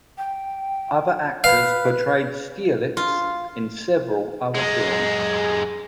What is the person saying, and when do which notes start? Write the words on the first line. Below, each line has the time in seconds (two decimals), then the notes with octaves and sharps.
Other actors portrayed Stierlitz in several other films.
0.18 G5
1.44 B4 F5
2.97 F4
4.55 F#2 G#3